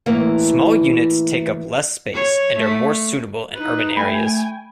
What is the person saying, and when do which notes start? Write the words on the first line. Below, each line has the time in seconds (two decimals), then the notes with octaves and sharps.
Small units take up less space, and are more suitable in urban areas.
0.06 A2 E3 A#3
2.14 C#5
2.59 A3
3.54 D#4 B4
3.97 A3 G5 G#5 B5